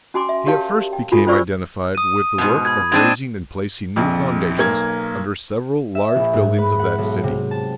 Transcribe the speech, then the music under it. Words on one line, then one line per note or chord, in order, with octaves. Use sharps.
He at first became identified with the work of raising and placing new foundations under several large buildings of that city.
C#4 F#4 G#5 C6 D6
E5
G4 A#4 C#5 F5 A5
G5
F4 F#4 A4 G#5
C#4 F4 C5 D5 C#6 E6
D#6 D#7
G#2 B2
B5 G#6
G#2 C4 D4 G#6 A6 D#7
A#1 F2
B1 A#3 G#6
E5
A#1
G#2
B4
F#5
B1
C3
A5